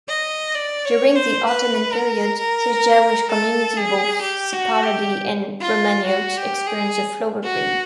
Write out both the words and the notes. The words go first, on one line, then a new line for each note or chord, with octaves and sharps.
During the Ottoman period, the Jewish community, both Sepharadi and Romaniote, experienced a flowering.
D#5
D5
C#5
C5
B4
A#4
A#4
A4
G#4
G4
F#4
G4
F4
F#4
G4
G#4
F#4